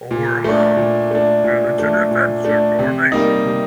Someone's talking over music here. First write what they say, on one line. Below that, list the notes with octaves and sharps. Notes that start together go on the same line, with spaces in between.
Ormonde fell into defensive formation.
A#2
A3 D4
A#2
A3 D4
A#2
A3 D4
A#2
A3 D4
C3
G3 A#3 D#4
C3